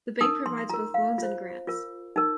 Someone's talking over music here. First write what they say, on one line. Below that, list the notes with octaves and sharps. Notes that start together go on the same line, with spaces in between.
The Bank provides both loans and grants.
D#4 A#4 D#6
C6
C6
F4 A#4 A#5
F5
F4 C5
F4 A#4
D#4 A#4